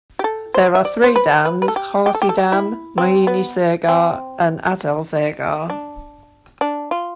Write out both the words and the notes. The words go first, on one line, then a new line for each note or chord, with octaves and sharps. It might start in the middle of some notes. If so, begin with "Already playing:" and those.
There are three dams, Harsi Dam, Mohini Sagar and Atal Sagar.
G4
A4
C5
E5
D5
C5
B4
B4
B4
A4
G4
G4
A4
G4
A4
G4
E4
C4
B3
C4
D4
D4
F4